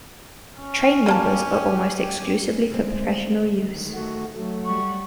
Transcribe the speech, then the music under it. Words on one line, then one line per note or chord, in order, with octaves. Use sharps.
Train numbers are almost exclusively for professional use.
C#4
F3 A#3 G4 G#5 A5
D2 G#3 C4
D#3
A3 F#4
F#3 A3
G3 F#5 C#6